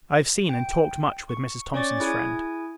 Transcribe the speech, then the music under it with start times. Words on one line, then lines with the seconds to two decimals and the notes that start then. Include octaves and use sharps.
I have seen, and talked much with, Mrs. Thomson's friend.
0.49 G5
1.29 C#6
1.74 C#4 C#5 D5 C#6 D6 A6
2.00 E4 G#4 G#5 G#6